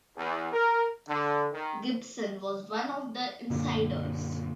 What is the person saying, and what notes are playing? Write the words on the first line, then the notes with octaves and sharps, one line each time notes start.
Gibson was one of the insiders.
E2
A#4
D3
D#3
F#2 A#2 D3 A#3